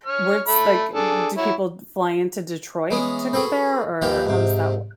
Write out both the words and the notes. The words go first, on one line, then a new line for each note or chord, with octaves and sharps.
What's like do people fly into Detroit to go there or how does that work?
C#5 F6
A3 B5
D4 G#4 A4
F#3 E4 C#5
E3 G#3 B3 C#4
F#4 G#4 A4 B4
D#2 E3 F3 G4 E5
G#2 C3